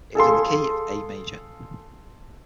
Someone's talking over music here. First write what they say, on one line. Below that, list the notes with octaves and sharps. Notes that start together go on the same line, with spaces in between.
It is in the key of A major.
G#4 A4 F5 C6